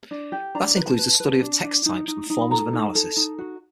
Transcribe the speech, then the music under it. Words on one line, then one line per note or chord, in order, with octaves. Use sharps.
That includes the study of text types and forms of analysis.
D4
G4
D4 A#5
B4
A5
B4
B4
D4
D4
D#4
D#4
D#4
B5
A4 A#5
D#4
A4
D#4
F#4